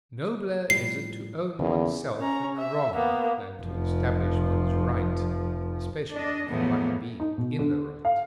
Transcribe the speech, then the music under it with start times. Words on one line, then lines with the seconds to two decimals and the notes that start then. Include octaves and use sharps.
Nobler is it to own oneself in the wrong than to establish one's right, especially if one be in the right.
0.70 A2 F3 G3 C7
1.59 E2 C#3 F3 A#3
2.20 C#4 A#5
2.57 E5
2.94 A#3 B3
3.61 F1 F3
6.14 D4 D#5
6.49 E2 A2 F3 A#3 B3
7.20 D#4
7.38 B2
7.59 D3
8.05 F5